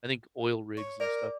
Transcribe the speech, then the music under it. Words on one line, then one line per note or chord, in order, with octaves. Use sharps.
I think oil rigs and stuff,
C#5
A#4 D5